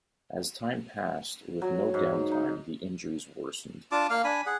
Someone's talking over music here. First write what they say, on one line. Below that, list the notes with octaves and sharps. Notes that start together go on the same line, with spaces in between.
As time passed, with no down time, the injuries worsened.
F#3
G#2
D#4
D4 F4 A5 D6
A#3 F5
D4 G#5 B5
G#4 F#5